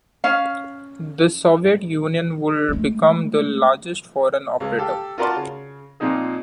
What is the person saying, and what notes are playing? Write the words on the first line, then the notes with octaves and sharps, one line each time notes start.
The Soviet Union would become the largest foreign operator.
C#4 F5
G#3 A3
C#2 G#3
G4 A4 F5
F4 F#4 A#4 D5 A5 C6
C#3
A#2 F3 C4 D#4 G#4